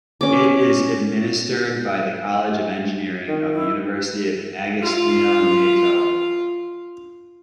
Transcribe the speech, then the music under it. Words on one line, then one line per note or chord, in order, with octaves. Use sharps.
It is administered by the college of engineering of the University of Agostinho Neto.
C#4 D6
D#3
E4
F4 F5